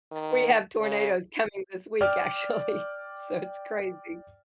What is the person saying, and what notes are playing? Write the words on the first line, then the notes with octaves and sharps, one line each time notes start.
We have tornadoes coming this week, actually, so it's crazy.
D#3
C#3
D5 G5 D6 F6